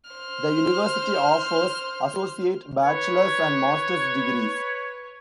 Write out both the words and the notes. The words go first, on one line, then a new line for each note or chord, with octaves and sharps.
The university offers associate, bachelor's, and master's degrees.
C5 F6
B4 C#5